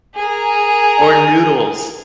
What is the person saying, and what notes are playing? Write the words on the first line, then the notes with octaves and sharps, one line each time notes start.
Or noodles.
G#4 A#4